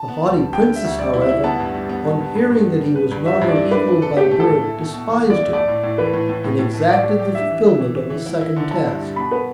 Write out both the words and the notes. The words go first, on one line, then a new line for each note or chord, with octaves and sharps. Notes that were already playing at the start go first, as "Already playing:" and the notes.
The haughty Princess, however, on hearing that he was not her equal by birth despised him, and exacted the fulfilment of a second task.
Already playing: A5
B3
D2
G3
D3 G5
G3
E5
D2
G3 D5
E4
E5
E4
B3 A5
G2
G3
B3
G2
G2
G2
G2
B3
G3
B4
G2
G3 E5
G2
D5
E4
D4 B4
D4
A4
A3 G4
A3
A4
A2
E4
B2
B2
E2
E2
D5
E4
A3 D5
A2
A2
E3 B4
A2
A2
A2
A2
A3
G4 D5
A3
G4
D4 E5
E3
E3
E3
E3
E3
E4
E4
D3
E4 A5
G2
G3
B2 B5
B3 B4